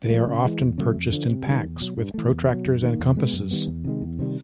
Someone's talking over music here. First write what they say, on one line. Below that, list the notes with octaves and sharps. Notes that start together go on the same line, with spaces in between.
They are often purchased in packs with protractors and compasses.
F3 A3
C#3
E3 G#3
E2
C#3 F#3 A3
F2
D3 F3
C3
D#3 G3
E2
B2 F#3
G2
E3 A3
E2
B2 F#3
F#2
D#3 G3 A#3
E2
B2 G#3 B3
F#2
D#3 G3 B3
E2
C3 D#3 G#3
E2
C3 D#3 G3